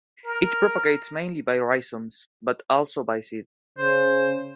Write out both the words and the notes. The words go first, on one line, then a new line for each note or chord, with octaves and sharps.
It propagates mainly by rhizomes, but also by seed.
A#4
C#3 C5